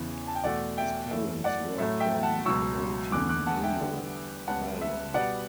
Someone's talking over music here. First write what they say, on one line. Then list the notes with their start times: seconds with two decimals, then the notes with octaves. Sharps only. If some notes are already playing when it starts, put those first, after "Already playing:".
His parents were from County Mayo, Ireland.
Already playing: E2 C#3 E3
0.27 A5
0.35 G5
0.44 E2 B2 A3 D5 F#5
0.78 E5 G5
1.11 F#2 E3 A3 E5
1.44 D5 F#5
1.78 A2 F#3 A3 E5
2.00 E5 G5
2.23 F#5 A5
2.45 C#2 B2 F#3 C#6 E6
3.12 E2 D3 A3 D6 F#6
3.29 D6 F#6
3.46 F#5 A5
3.64 E5 G5
3.80 E2 D3 G3 B3
4.47 C#2 C#3 G3 B3 F#5 A5
4.81 E5
5.14 B2 G3 B3 D5 F#5